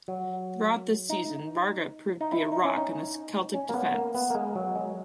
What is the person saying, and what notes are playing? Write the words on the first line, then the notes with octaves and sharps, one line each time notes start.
Throughout this season Varga proved to be a rock in the Celtic defence.
F#3
D#4
D#4
E4
D#4
C#4
D#4
C#4
A#3
B3
A#3
B3
A#3
G#3
F#3
G#3